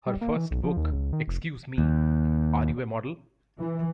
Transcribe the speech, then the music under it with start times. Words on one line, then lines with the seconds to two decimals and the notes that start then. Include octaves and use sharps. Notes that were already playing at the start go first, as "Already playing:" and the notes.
Her first book, Excuse Me, Are You A Model?
0.06 G3
0.21 A#3
0.36 E3
0.51 B1
0.64 F3
0.77 D#2
0.92 C#2
1.13 D#3
1.27 F1
1.78 D#2
3.59 E3